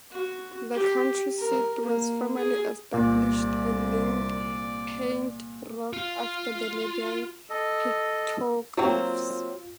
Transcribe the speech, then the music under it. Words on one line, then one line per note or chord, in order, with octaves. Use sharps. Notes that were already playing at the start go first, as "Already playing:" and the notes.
The county seat was formally established and named Paint Rock after the nearby pictographs.
F#4
G4
A#4
A#3
G#4
C2 A#2 D5
F4
A4 D#5
F#3 A#3 C4 F4